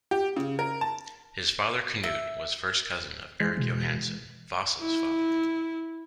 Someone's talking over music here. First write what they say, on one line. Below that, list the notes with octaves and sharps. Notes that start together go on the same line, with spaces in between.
His father Knut was first cousin of Erik Johansson Vasa's father.
G4
C#3
A#4
A5
E5
E3 G#3
B2
E4